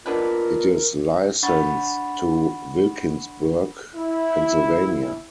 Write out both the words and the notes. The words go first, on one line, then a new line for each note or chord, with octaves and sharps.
It is licensed to Wilkinsburg, Pennsylvania.
B2 D4 F4 A#4 B4
D4 F#5 B5 C#6 A6
E4